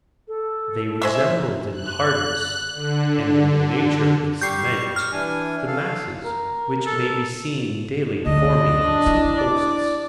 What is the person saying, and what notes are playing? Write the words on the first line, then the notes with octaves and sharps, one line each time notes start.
They resembled in hardness, and in the nature of the cement, the masses which may be seen daily forming on some coasts.
A4
G#3 C5 E5
F#6
D3
G3 G4 C#6 G6 C7
F6
E3 D4 G#5
A4 F5
A#4
A4
D2 D4 D#5
E4
D5